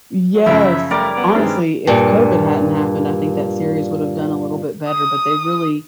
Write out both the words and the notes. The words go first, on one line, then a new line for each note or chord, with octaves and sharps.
Yes. Honestly, if COVID hadn't happened, I think that series would have done a little bit better, but they really
F#3
F#2 C#3 F3 E4 E5
G3 A3 A#4 D5
B3
G2 D#3 G#3 C4
G2 A#2
D#6